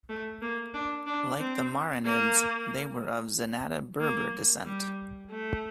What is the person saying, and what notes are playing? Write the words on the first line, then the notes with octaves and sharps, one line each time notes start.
Like the Marinids, they were of Zenata Berber descent.
A3
A#3
D4
D4
C4
A#3
A#3
G3
A3